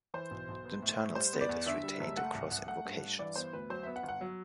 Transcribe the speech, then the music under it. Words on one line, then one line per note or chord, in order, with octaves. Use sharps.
The internal state is retained across invocations.
E3 C5
B1
B1
B3
A2
A2
G3 C5
B3
D5
E2
D3 E5
G3
F#1
A3 F#5
C2
C2
A3 F#5
G2
G2
E3 D5
B3 C5
D2 B4
F#3 C5
B3 E5
F#5
G1
F#5
F#3